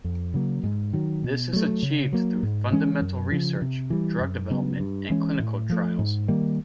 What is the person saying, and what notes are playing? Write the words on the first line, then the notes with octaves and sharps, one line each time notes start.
This is achieved through fundamental research, drug development and clinical trials.
F2
C#3 F#3 A#3
G#2
D#3 F#3
B2
F#3 A3
C#3
F#3 A#3
G#2
E3 G#3 C#4
F#2
C#3 F3
C3
E3 G3
F#2
C#3 F#3 B3
G2
E3 G#3 C#4
A2
F3 A3
G#2
D#3 G3 A#3